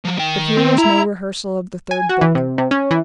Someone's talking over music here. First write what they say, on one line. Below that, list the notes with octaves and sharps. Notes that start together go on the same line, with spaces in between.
But here is no rehersal of the third book.
F3 F#3
D#3 G5
C4
E4 A#5
G#5
F#4
E3
C3
C3
C#4
E3